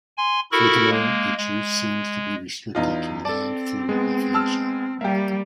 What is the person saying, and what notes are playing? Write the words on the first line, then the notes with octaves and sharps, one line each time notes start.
Furthermore, its use seems to be restricted to non-fluent aphasia.
G#5 C6
E4 F#4 A4 A#4 B5 C#6
G#3 A#3
G#3
E2 D#4 F4
C4 A4 D5 A5
G#3 B3
A5 E6 F6
G3 A#3 G4 E5